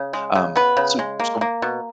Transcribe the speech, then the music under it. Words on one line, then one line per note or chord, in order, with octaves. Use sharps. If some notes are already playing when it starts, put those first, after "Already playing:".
Um, so so
Already playing: C#3
G#3
C#3
B3 B4
C#3
G#3
A#3
A#3
B2